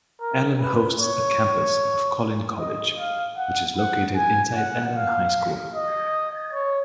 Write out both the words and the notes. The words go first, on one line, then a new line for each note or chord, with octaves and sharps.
Allen hosts a campus of Collin College, which is located inside Allen High School.
A#4
B4
C#5
D#5
F5
F#5
F#5
G#5
F#5
F5
D#5
C#5